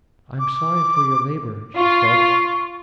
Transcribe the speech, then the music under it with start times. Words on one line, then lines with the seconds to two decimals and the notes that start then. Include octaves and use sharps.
"I am sorry for your labor," she said.
0.39 D6
1.77 F4 C#6